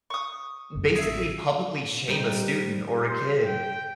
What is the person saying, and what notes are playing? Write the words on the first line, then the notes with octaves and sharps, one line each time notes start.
basically publicly shame a student or a kid
C#6 D#6
A1 F#2 G#3
A1 B3 C#4 G#4 E5
G3 C4 D#4
C5
G5